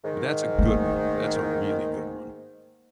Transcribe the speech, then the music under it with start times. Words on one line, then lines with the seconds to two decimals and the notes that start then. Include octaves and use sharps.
but that's a good one, that's a really good one.
0.04 G#2 D#3
0.59 A3 A#3